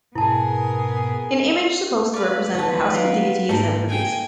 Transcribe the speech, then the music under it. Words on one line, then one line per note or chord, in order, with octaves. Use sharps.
An image supposed to represent the household deity is then produced.
G#2 B2 B3 E4 G#4 A#4 A5
B4 D5 F5
D#3 B3 C#5 A5
F#3 F4 A#4 F#5
G#2 A#3 D#4 A4 A#4 C6
G5 G#5